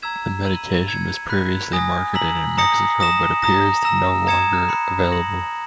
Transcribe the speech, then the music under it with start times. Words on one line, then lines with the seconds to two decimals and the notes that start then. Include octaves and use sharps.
The medication was previously marketed in Mexico but appears to no longer available.
0.02 A#5 E6 G#6 B6 E7
0.45 B5 E6 G#6 D#7 F#7
0.87 E6 G#6 C#7
1.29 B5 F#6 B6
1.73 G#5 D#6 A#6
2.14 A#5 E6 B6 F#7
2.58 A#5 D#6 A#6 C#7
3.00 D#6 A#6 E7
3.42 A#5 D#6 A#6
3.84 A#5 E6 A#6 E7
4.27 A#5 D#6 G#6 C#7 E7
4.69 B5 F#6 C#7
5.12 D#6 A#6 C#7 F#7